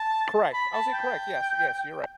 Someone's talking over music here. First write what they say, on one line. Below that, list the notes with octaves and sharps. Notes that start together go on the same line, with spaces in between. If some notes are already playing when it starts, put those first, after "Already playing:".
Correct. I would say correct. Yes. Yes. You're right.
Already playing: A5
B5
A5
G5